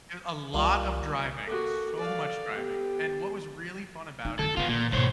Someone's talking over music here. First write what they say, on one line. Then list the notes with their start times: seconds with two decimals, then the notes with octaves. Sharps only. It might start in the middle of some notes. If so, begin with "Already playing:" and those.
There's a lot of driving, so much driving, and what was really fun about it is,
0.54 C2 G3 A#3 F4
1.47 A#3 F#4 A4 D6 F#6
1.97 D5 F5
2.53 B3 G4
4.25 D#4
4.39 F#2 D#3 A4
4.57 C#3 E3 B3 F4
4.69 A#2
4.92 E2 G#2 B2 C5 C#5